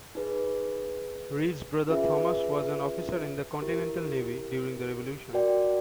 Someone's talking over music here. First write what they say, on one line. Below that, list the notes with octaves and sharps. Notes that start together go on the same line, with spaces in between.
Read's brother Thomas was an officer in the Continental Navy during the Revolution.
D#4 G#4 B4
C#4 F4 G#4 B4 E5
E4 G4 A#4
F#4 A#4 D5 G5